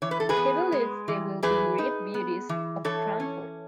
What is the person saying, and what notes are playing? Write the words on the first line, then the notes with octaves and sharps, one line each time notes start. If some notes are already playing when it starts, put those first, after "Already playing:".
He believes they will be great beauties of Cranford.
E3 C#5
B4
A4
G#4 B4
B3
G#3
E3
E3 G#4 B4
D#4
B3
E3
E3 A4 C#5
C#4